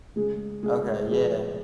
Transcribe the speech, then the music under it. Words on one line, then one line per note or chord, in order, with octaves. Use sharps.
Okay, yeah.
C#3 G#3 G#4
C#3 G#3 G#4
F3 G#3 G#4